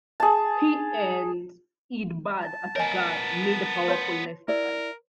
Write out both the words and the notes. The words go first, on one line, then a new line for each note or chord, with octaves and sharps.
He and Ed Budde at guard made a powerful left side.
G#4 A5
A5
B3 A#4 C#5 D#5 G#5
B4 C#5 C6
E4 A#4 D5